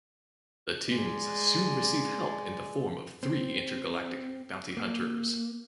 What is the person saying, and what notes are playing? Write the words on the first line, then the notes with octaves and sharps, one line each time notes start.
The teens soon receive help in the form of three intergalactic bounty hunters.
G#3 D5
C4
A#3